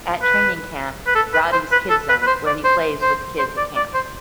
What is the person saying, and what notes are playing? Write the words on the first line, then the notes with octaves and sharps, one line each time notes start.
At Training Camp, Rowdy's Kid Zone, where he plays with the kids at camp.
B4
B4
A4
B4
C5
B4
A4
B4
B4
C5
D5
C5
C5
C5
D5
D5
C5